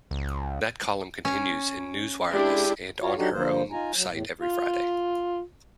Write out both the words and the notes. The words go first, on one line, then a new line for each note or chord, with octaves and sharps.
That column continues in "NewsWireless" and on her own site every Friday.
C#2
C#4
G#3 D4 E4 G4
F4 F#4 C#5
F#3 D4 D#4 F#4 G4 A4
D3 F3 A#3 C5
D#4 F4 G#5 A#5
F#3
E2 A2
F4